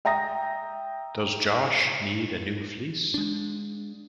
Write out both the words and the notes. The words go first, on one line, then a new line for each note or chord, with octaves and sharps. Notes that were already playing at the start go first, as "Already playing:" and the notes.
Does Josh need a new fleece?
E5 G5 A#5 D#6 A#6
G#3 D4